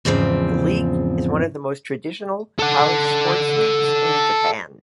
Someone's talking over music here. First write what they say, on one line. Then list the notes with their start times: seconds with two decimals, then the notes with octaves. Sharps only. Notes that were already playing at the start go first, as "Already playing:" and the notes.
The league is one of the most traditional college sports leagues in Japan.
0.05 E2 G#2 C#3 F3 C4
2.59 A4 F#5